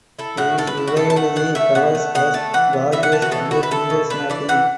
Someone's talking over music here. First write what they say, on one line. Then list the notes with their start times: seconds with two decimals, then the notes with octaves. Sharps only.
He reviewed the covers as "gorgeous" and "finger snapping".
0.19 E4 A4
0.37 A2 F#4
0.58 A2 A4
0.67 B4
0.77 E4
0.88 F#4
0.96 B2 A4
1.10 A5
1.16 A3 F#5
1.36 B2 F#5
1.55 A3 E5
1.75 B2 F#5
1.95 A3
2.15 B2 F#5
2.34 A3 A5
2.54 E3 F#5
2.73 B3
2.92 E3 E5
3.03 F#5
3.12 E3 A5
3.22 F#4
3.31 B2 A4
3.51 E4 F#4
3.63 B4
3.71 E4 A4
3.90 B2
4.10 D4 B4
4.30 E3 D5
4.49 E3 F#5